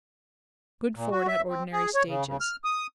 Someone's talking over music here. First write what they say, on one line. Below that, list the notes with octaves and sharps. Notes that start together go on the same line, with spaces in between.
Good ford at ordinary stages.
A#2
F#4
E5
C4
G#4
C#5
C#3
C#3
F6
D#6